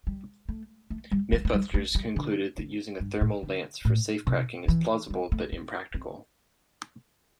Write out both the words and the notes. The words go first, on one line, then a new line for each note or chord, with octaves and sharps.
"MythBusters" concluded that using a thermal lance for safe-cracking is plausible, but impractical.
G3
A3
A3
G3
G3
A3
G3
A3
G3
D3
D3
G2
A2
D3
A2
C3
E3
G3
A3
C4
C4